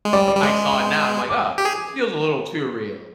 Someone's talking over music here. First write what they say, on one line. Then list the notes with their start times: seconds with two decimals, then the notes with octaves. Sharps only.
I saw it now. I'm like, "Oh, this feels a little too real."
0.05 G#3
0.13 G3 D5
0.28 D5
0.36 G3
0.43 G#3 D5
0.71 C6
1.29 D6
1.58 G4
1.65 G#4